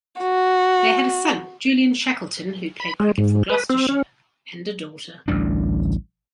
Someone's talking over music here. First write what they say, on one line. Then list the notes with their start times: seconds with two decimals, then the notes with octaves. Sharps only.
They had a son, Julian Shackleton, who played cricket for Gloucestershire, and a daughter.
0.22 F#4
2.80 B5
3.00 G#3
3.18 G#2
3.50 B4
3.70 C4
3.89 C#4
5.28 A1 D2 G3 D4